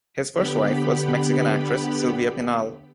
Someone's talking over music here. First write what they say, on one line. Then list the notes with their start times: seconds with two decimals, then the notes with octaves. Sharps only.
His first wife was Mexican actress Silvia Pinal.
0.33 D3 B3 G4 B5